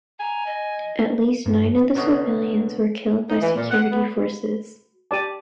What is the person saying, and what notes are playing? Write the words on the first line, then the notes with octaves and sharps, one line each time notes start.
At least nine of the civilians were killed by security forces.
G#5 A#5
D#5
G2
C2 B2 D3 C#5 D#5
D#4
E3
A#2
F#5
B3
F#4
G4 D5 A5 D6 D#7